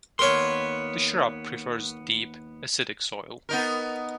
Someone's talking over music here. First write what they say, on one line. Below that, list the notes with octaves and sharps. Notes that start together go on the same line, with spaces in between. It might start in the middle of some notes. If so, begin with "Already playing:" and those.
The shrub prefers deep, acidic soil.
D#2 B3 A#4 C#5 C6
B3 D#4 A#4